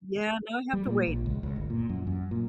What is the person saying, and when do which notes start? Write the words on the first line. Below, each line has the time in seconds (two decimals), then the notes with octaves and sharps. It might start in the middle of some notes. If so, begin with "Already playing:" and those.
Yeah, now I have to wait.
0.73 G3
0.86 A#2
1.07 A#1
1.26 C#2
1.43 C#2
1.56 G1
1.70 A#2
1.89 F#2
2.07 F#2
2.31 A#2